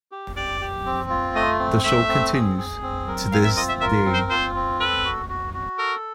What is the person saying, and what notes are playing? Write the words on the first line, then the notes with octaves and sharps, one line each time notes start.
The show continues to this day.
G4
G4 D5
G4
C4
F4
A3 D#5
C4
A3 E5
C4
G#4
G#4
C4
A#4
C4 F5
E5
F4 D#5
E5
A#4 E5
C4
C5
F4 C5
C4
A4 B4
F#4
F#4
F#4
A4 A#4